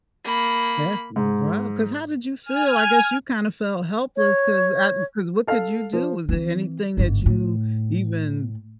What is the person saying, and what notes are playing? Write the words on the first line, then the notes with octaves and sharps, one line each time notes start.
That's rough, 'cause how did you feel? I guess you kind of felt helpless 'cause I 'cause what could you do? Was there anything that you even
A#3 B5
G#2
G#5 F6
C#5
A4 F5
F3
E3 C4
G1 G#2
A2